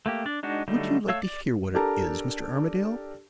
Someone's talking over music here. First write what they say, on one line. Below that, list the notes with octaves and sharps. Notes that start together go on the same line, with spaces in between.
"Would you like to hear what it is, Mr. Armadale?"
A3 A#3 G4
D4 D5
G#3 D4 D#4 F#4
D3 F#3 G3 A3 D#4
A3 C#5 F5 E6
D5
D4 G4 A4 A#4 A5 A#5